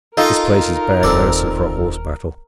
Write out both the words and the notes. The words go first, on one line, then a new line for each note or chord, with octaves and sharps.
This place is bad medicine for a horse battle.
D#4 F4 A4 A#4
D#1 C4 A4 D5